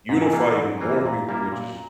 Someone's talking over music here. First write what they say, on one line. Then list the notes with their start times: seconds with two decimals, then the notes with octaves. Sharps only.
unify even more people, which is
0.09 G#2 A#5
0.22 G#5
0.33 E3 A#3 F4 A#5
0.57 G#2
0.81 E3 A#3 F4
1.05 A#2 A#5
1.28 G3 A#3 E4 A#5
1.52 A#2